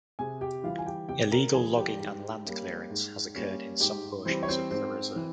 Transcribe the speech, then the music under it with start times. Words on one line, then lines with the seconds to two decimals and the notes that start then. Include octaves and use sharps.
Illegal logging and land clearance has occurred in some portions of the reserve.
0.19 C3 G#4 G#5
0.41 G4 G5
0.64 E3 G3 F4 F5
0.78 G#5
0.86 G4 G5
1.09 C3 G4 G5
1.32 A#4 A#5
1.54 E3 G3 G#4 G#5
1.77 G4 G5
2.00 G#2
2.45 G3 A#3 C#4
2.90 G#2
3.35 G3 A#3 C#4
3.80 G#2 G4 G5
4.25 E3 G3 C4 C5
4.43 C#5
4.48 C4 C5
4.71 G#2 C4 C5
5.16 E3